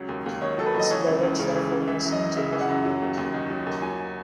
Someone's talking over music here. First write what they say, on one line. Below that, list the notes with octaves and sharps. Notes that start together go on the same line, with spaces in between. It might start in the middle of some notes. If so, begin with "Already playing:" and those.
His products are famous in Japan.
Already playing: C#2 F#3
D#2
D#2
D#3 C#5
F#3 A4
B4
D#2
D#5
E3 C#5
C#2
C#2
C#3
E3
C#2
E3 E5
F#2
D#5
F#2
C#3 E5
E3
F#5
F#2
F#3
D#2
D#2
D#3
F#3
D#2
F#3 G#5